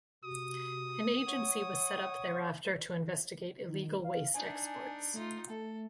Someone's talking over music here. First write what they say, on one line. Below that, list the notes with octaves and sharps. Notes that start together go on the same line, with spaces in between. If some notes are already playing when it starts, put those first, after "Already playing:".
An agency was set up thereafter to investigate illegal waste exports.
C3 F#4 D#6
C#5 F#5 C#6
D#3
F5
D4 D#4 G#5
A3 D#4 F4
A3 A4